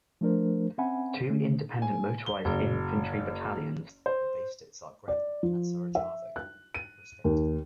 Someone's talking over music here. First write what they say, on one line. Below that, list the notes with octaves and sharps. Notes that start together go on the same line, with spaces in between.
Two independent motorized infantry battalions were based at Zagreb and Sarajevo respectively.
F3 A3 D4 A#4 C5
C4 C#4 E5 F#5 G#5 B5
D3 A3 C#4
G#5
G7
F#1
C5
D5
F3
E5
F#6
D#7
D#2